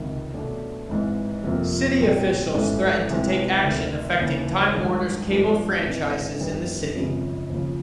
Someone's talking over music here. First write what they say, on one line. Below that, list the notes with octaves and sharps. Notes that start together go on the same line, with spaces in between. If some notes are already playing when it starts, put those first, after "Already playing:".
City officials threatened to take action affecting Time Warner's cable franchises in the city.
Already playing: C#2 C3 D#3
B2 F#3 A3 D4
G#1 G#2 E3
G1 F2 C3 F3 A#3
B1 A#2 G3 C4
A1 G#2 E3 A3 C#4
C2 C3 E3 G#3 C4
D2 C3 D#3
D#2 C#3 E3
G2 D#3 G#3
G#2 F3 G#3 B3 D4
G#1 G#2 E3
F#2 D#3 G3 B3
G#1 F#2 C#3 F3
D#2 C#3 F3